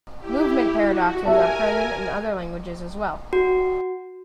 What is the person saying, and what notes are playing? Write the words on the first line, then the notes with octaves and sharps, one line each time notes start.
Movement paradoxes are present in other languages as well.
E4 G4
F#4
G4 A#4 E5 G#5 A5
F#4